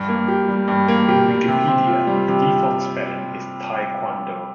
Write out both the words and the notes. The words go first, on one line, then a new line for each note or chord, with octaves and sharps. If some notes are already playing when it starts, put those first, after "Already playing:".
In Wikipedia, the default spelling is taekwondo.
Already playing: G2
A#3
G4
G3
G2
A#3
G4
G3
C3
C4
F4
G3
C3